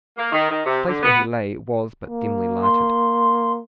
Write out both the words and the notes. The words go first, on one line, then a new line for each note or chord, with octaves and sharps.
The place where he lay was but dimly lighted.
A#3
D#3
D#3
C3
D3
B3
A#3
C6